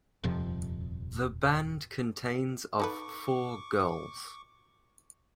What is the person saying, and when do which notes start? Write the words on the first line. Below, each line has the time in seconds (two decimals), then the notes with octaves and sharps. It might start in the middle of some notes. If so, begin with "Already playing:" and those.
The band contains of four girls.
0.24 D#1 F2 C3 F3
2.80 D#4 A4 B4 C#6 D6